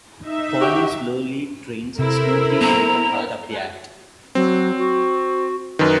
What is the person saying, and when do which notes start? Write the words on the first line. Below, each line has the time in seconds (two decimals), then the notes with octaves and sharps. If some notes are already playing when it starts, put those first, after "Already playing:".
Polly slowly trains Snoopy to become part of the act.
0.24 D#4 E5
0.61 F#4 G4
1.99 C3 E4 A4 A#4 C5
2.61 F#3 A#3 B3 A#5
4.35 F#3 C4
4.78 F#4
5.79 F#2 D#3 B4